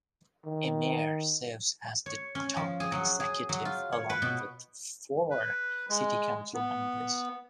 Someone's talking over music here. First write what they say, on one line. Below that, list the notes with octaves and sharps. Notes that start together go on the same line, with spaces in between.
A mayor serves as the top executive along with four city council members.
D#3
C#5
C#4
F3
G#4
F#3
G#4
F#3
F4
C#5
B4
B2
B4
G#3
B3